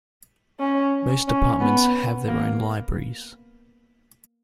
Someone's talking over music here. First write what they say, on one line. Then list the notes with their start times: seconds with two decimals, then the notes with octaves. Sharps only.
Most departments have their own libraries.
0.60 C#4
1.28 C#4
1.60 B3
2.28 A#3